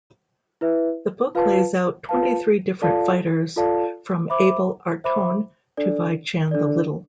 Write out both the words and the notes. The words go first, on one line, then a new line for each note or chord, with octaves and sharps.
The book lays out twenty-three different fighters from Abel Artone to Vychan the Little.
E4 B4 E5
F4 B4 F5 A5
F4 B4 F5 A5
F4 A4 D5 F5 A5
F4 A4 D5 F5 A5
C5 E5 B5 D6
C5 E5 B5 D6
D4 A4 D5
D4 A4 D5